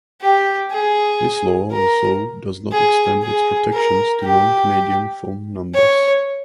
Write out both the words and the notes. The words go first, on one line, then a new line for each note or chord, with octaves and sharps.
This law also does not extend its protections to non-Canadian phone numbers.
G4
G#4
A#4
G#4
G#4
A#4
G4
C#5